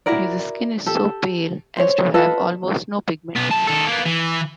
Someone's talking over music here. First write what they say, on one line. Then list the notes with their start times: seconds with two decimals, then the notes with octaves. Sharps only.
His skin is so pale as to have almost no pigment.
0.06 E4 F#4 A#4 D5
0.86 G4 A4
1.77 C5 C#5
2.14 F4 A4 B4 D#5
3.37 B1 B3
3.51 F#2 A5
3.67 D#3 A4
3.87 A#3 B3
4.06 E3